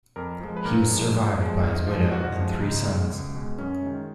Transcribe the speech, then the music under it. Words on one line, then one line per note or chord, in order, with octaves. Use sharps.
He was survived by his widow and three sons.
F2 A#4
F3 G#3
B4
A#2 A#4
F3 G#3
A#2
F3 G#3
G#2
F3 G#3
G#2 F#4
F3 G#3
C#2 D#4
B2 G#3
C#2
B2 G#3
F#2 C#4
D#3 G#3